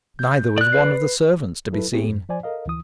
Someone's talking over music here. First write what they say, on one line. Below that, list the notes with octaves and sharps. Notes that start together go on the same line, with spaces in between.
Neither was one of the servants to be seen.
G6
D5 F#6
B4 C7
F#3 E4 A4 B4
A3 B3 C4 E4 G4 G#4
F#2
F3 C5 D5 G#5
A4 A#4 D#5 F5
D2 E3 D#6